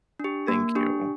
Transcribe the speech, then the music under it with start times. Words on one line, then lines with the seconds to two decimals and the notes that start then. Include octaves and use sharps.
Thank you.
0.20 D4 G4
0.48 A#3
0.75 D4 G4